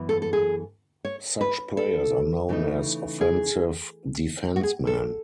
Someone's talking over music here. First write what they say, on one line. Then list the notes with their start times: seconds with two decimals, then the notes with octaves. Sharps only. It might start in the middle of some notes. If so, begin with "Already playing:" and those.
Such players are known as "offensive defencemen".
Already playing: F#2 E3 B3
0.09 A4
0.22 A4
0.33 G#4
1.05 C#5
1.41 B4
1.77 A4
2.49 C#3 E3 A3 D#4
3.21 G#4
4.56 F#4
4.63 G#4
4.87 A4